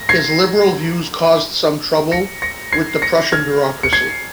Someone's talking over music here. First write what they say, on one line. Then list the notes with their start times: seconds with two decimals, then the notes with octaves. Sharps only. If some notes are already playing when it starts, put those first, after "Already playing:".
His liberal views caused some trouble with the Prussian bureaucracy.
Already playing: A#6
0.09 G#6 C7
2.12 A#6 C#7
2.42 A#6 C#7
2.73 G#6 C7
3.02 A#6 C#7
3.32 F6 G#6
3.83 C#7
3.93 G#6 C7